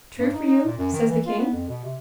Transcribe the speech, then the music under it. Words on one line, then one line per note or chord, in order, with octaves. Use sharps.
"True for you," says the king.
G2
D#4
D#4
A#2
F#2
D#3
E3
F4
B3
F2
B2
C3